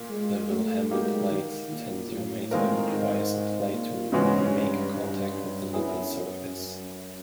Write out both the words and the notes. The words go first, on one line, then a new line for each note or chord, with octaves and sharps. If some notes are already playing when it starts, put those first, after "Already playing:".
The Wilhelmy Plate tensiometer requires a plate to make contact with the liquid surface.
Already playing: A#2
G#3
A3
F#3 G#3 A#3 D#4 G4
D#3
A#2
A2
D#3 G#3 C4 F4 A#4
G#2
A#2
G#2 C#3 E3 G#3 C#4 F#4
G2
G2
G2
F#2 F#3 B3 E4 G#4
F#2